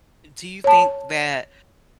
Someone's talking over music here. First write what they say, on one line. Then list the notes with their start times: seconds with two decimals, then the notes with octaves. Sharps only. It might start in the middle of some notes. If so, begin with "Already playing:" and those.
d do you think that
0.64 C#5 A5